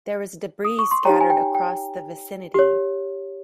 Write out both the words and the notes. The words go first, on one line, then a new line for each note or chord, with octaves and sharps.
There was debris scattered across the vicinity.
D#6
C#6
C6
D#4 G4 C#5 G5 A#5
G#5
G5
G5
G4 C#5